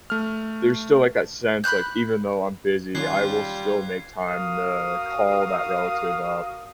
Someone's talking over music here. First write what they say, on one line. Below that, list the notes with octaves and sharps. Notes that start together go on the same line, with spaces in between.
there's still, like, that sense, like, even though I'm busy, I will still make time to call that relative up
A3 F6
B5 C6 F#6 G6
D#3 G3 C#4 F4 F#6 G#6 C7
F#4 A#4 F5 D#6